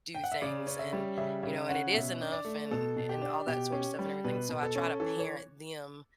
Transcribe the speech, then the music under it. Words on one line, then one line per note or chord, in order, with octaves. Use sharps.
do things and you know, and it is enough," and and all that sort of stuff and everything, so I try to parent them
G5
F#5
E5
C#3 D5
C#4
E5
G3
C#3 E5
C#3 E5
C#4 F#5
B2 E5
D4
D5
A3
B2 A4
B2
G4
D4
B2 G4
C#4
G3
B2 B4
B2
A4
C#4
E3 A4
C#5